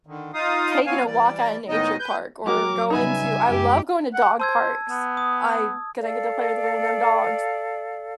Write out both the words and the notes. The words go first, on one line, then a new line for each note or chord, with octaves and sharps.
taking a walk at a nature park or going to I love going to dog parks, I 'cause I get to play with random dogs,
D3 D#3
D#4 F4 F5 D#6
F#3 B3 C4 C#5 F5 G#5
E3 G3 D5
A2 D#3 G#3 B3 D#4 D#5
B4 G6
F#3 A#3 F#4 G4 A#4 D6
C#3 G3 D#4 B4 E5 G#5
F#2 G#3 G4
F#5
C5 A5 E6 G#6
B3
D#6
A4 D5 F5